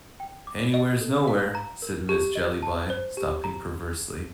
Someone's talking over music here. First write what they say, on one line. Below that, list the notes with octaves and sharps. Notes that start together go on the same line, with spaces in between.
"Anywhere's nowhere," said Miss Jellyby, stopping perversely.
G5
D6
D#5
A4
F5
A#5
A#4
G4
D#5
A5
C5
G4
A#5